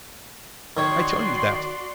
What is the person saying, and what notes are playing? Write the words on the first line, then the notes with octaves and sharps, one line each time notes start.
I tell you that.
D#3 F#4 C#5 D5 C6